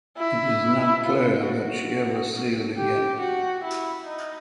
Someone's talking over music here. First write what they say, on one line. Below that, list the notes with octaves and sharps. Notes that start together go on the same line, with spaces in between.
It is not clear that she ever sailed again.
E4
F4
F#4
G4
F#4
E4
D#4